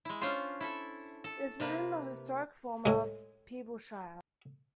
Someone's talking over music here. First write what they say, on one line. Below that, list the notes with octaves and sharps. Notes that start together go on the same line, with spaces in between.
It is within the historic former Peeblesshire.
G#3 E4
C#4 D4 F4 C5
E4 A4 E5
A4
C3 A#3 B4
A2 G#3